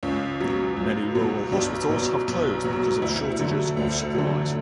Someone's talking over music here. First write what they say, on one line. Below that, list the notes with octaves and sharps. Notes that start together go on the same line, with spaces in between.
Many rural hospitals have closed because of shortages of supplies.
C#2 C#4
B2 F#3
C#2
B2 F#3
B1 D4
B2 F#3
B1
B2 F#3
D2 E4
D3 F#3
D2
D3 F#3